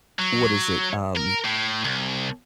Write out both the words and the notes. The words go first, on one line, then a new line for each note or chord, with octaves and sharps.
What is it? Um,
F#3
A#4
A2
C2